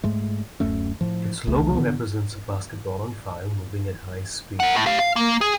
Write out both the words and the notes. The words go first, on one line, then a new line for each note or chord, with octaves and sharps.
Its logo represents a basketball on fire moving at high speed.
G#2 G#3 A3
D1 F#2 A3 C#4
A2 F3
E1 C2 C#3 A3
A2 D3 B3
A#4 F#5
A2
G4 F5
F5
A#3
G#4